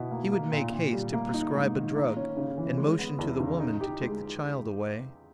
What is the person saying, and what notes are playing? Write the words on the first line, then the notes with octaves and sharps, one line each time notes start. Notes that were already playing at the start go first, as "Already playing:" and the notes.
He would make haste to prescribe a drug, and motion to the woman to take the child away.
Already playing: B2 E4
A#3
A#3
A#2
A#2
G3
A#3
D#4
G#2
D#3
A#3
C#4
C#3
E3
G#3
B3
E2
C#3
D#4
G4
G#3